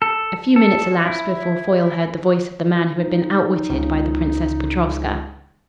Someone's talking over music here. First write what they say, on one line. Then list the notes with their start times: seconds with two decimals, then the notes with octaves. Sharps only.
A few minutes elapsed before Foyle heard the voice of the man who had been outwitted by the Princess Petrovska.
0.02 A4
0.56 A4
1.06 E4
2.98 D#4
3.70 C#2